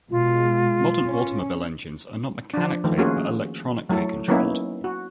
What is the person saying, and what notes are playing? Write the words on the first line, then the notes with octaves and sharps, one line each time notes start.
Modern automobile engines are not mechanically but electronically controlled.
B2 G#3 F4
C#4
F3 D4
D#3 F3 A3
A3 A#3 C#4 F4 F#4 G#4
F#3 A3 E4 A4
F#3 A#3 B3 C#4 D#4 E4
F#4